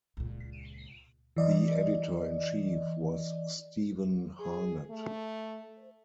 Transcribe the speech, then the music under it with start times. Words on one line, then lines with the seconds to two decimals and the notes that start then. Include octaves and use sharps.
The editor-in-chief was Stevan Harnad.
0.17 C#2 A#2
1.37 E3 D5 D#5
4.40 G#4
4.90 A3